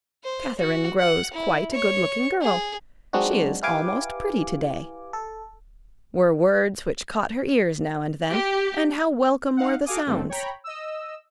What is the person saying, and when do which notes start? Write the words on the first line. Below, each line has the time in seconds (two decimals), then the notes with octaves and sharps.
"Catherine grows quite a good-looking girl--she is almost pretty today," were words which caught her ears now and then; and how welcome were the sounds!
0.24 C5
0.59 F#4
1.00 F#5
1.33 E4
1.74 C#5 C#6
2.41 G#4
3.13 F#3 G#3 C4 D4 D#4 F#4
3.63 E4 G4 B4 F5 G#5 D6
5.13 A4
8.33 G4
9.56 D#4 F5 F#5
9.85 F#4 A4 F5 G#5 D6 D#6
10.07 G2 D#3 A3 C4
10.29 C#5 G5 A#5 B5
10.64 D#5 E6